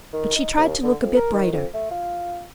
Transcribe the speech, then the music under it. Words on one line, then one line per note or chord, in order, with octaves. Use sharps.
But she tried to look a bit brighter.
D#3
D#4
D#2
D3
F2
A#4
D#3
F2
A3
F4